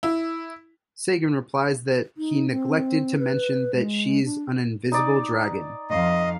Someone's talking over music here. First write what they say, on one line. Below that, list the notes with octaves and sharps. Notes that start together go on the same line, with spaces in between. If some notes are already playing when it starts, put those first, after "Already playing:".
Sagan replies that he "neglected to mention that she's an invisible dragon".
E4
D#4
C4
B4
G#3
D4
D#4 D5
F2 D#5 F5